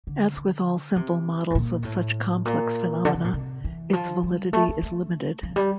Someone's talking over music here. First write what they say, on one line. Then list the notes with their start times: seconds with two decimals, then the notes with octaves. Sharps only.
As with all simple models of such complex phenomena, its validity is limited.
0.07 D3
0.37 D3
0.96 C3
1.50 A2
1.55 A#2
1.85 A2
2.45 A#2
3.05 D3
3.14 C3
3.24 A#2
3.34 C3
3.64 E3
3.93 F3
4.23 G3
4.53 A3
4.69 A3
4.82 A3
5.43 F3
5.56 G3